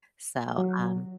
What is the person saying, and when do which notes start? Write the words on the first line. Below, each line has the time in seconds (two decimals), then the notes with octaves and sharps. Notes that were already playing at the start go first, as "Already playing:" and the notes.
so, um,
0.58 F#3